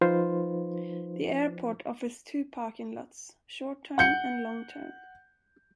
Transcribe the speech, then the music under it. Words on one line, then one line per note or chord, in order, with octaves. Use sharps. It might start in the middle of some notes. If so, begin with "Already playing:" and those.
The airport offers two parking lots: short term and long term.
F3 D#4 F4 B4 C5
F#5 G6 C#7